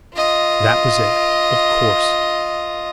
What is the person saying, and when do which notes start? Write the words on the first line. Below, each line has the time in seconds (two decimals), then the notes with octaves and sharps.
That was it, of course.
0.14 F4 D#5